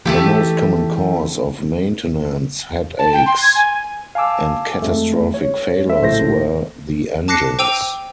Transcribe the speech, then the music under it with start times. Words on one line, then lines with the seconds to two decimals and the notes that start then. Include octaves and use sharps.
The most common cause of maintenance headaches and catastrophic failures were the engines.
0.06 E3 A3 E4 G4
2.99 A5
3.13 G5
3.26 C6
3.42 G#6
3.55 G#5
4.15 F5 G#5 A5 D6 E6
4.81 F2 G#3 A3
5.34 C#5
5.86 G#3 E5
6.00 A#1 A2 A3 C5 A#6
7.28 A5 D6 F#6 A#6 C7 C#7
7.59 C5 G5 D6 E6 D#7 F7